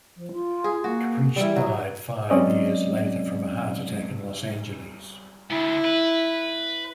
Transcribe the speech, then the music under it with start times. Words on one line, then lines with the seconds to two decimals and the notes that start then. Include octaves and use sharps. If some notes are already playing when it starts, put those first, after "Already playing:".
Caprice died five years later from a heart attack in Los Angeles.
0.17 F3
0.32 F4
0.64 G#4
0.84 A#3 F#4
1.36 E3 G3 E4
1.56 F#3
2.30 F#3 G#3 C4 C#4 D5 D#5
5.51 D2 E4
5.85 B4